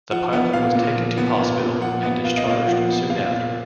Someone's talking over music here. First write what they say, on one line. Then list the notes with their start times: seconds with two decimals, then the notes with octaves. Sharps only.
The pilot was taken to hospital and discharged soon after.
0.11 F3 F#5
0.33 B3
0.53 A#2 F5
0.75 A#2
0.96 F3
1.18 B3
1.39 A#2
1.60 A#2
1.81 F3 F#5
2.03 B3
2.24 A#2 F5
2.37 D#5
2.46 A#2 F5
2.66 F3 F#5
2.88 B3
3.10 A#2 F5
3.31 A#2